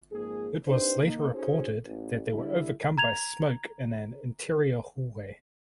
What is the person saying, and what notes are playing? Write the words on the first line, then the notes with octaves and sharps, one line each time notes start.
It was later reported that they were overcome by smoke in an interior hallway.
F2 G#2 A#3 G#4
C4 D4 D#4 G4 B4 C5
A#3 D#4
C#4 D#4 F#4 G#4 A4 C5
A1
D3 G3 E4
A#5 G#6 F7